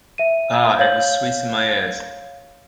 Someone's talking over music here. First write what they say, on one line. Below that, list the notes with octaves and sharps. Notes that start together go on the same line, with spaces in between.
Ah, it was sweet in my ears.
E5 D#7
C#5 F5 G6 F#7